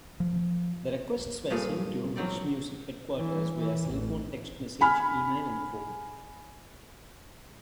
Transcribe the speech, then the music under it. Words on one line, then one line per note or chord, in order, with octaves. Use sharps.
The requests were sent to MuchMusic headquarters via cellphone text message, email, and phone.
F3
G2 A#2 G#4 A4
G#2 F#3 C4 D5
E3
E3
A1
G#5 B5 F6